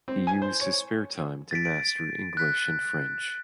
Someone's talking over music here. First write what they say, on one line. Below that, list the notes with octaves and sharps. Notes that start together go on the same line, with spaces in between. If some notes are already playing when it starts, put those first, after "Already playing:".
He used his spare time to master English and French.
C4
G#5
C5
C#5
A6 B6 D7
D7
F#6 B6